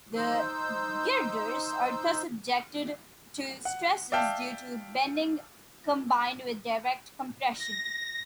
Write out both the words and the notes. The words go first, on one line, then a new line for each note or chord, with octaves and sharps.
The girders are thus subjected to stresses due to bending combined with direct compression.
D#4 C5 E6 G6
F#5
D5 E5 F5 G5 A5
A#6